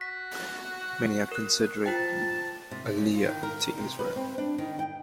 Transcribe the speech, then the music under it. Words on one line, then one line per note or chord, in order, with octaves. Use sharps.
Many are considering aliyah to Israel.
F#4 B6
A#4 F#6
F4 C5 G5 A5
C3
C#3
F4
D#3
A#4
C3
B4
C4
D4
D#3
G5